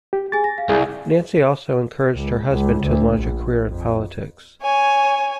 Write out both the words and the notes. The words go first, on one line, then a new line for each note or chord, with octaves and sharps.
Nancy also encouraged her husband to launch a career in politics.
G4
G#4 G#5 A6
A#6
F5
C2 E4 G#4
C#2
C#2
D2
A#1
F2
C#5 G#5